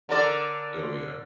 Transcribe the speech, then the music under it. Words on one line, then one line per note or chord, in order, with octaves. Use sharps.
Oh, yeah.
D3 A#4 D5